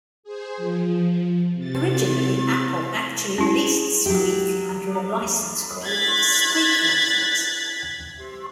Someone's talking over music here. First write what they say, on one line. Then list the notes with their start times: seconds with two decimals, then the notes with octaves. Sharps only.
Originally, Apple actually released Squeak under a license called the "Squeak License".
0.23 G#4 C5
0.57 F3
1.54 C3 A6
3.38 C#4 E4 G#4
4.06 F#3 G4
4.95 A#5
5.84 F#6 G#6 A6 B6